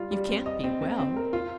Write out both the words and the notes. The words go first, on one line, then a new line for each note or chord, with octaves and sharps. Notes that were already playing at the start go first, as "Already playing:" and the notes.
'You can't be well.
Already playing: G3 F4
G3
C4
D#5
C4
C4
C4
A#4
F4